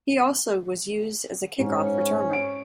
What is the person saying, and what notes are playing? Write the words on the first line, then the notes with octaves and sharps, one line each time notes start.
He also was used as a kickoff returner.
G#2 C#4
D7